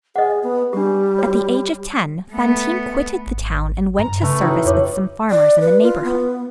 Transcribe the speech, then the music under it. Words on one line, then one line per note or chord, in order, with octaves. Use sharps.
At the age of ten, Fantine quitted the town and went to service with some farmers in the neighborhood.
G#4 D#5 F#5
B3
G3 D4 G4
F#4 C#5
A3 B3
G#1
G2 A#5
C#3 A3 B4 G#5
A2 D4 D#4 F#4
F2 F4 C#5 D6
D5
B4
F4
B3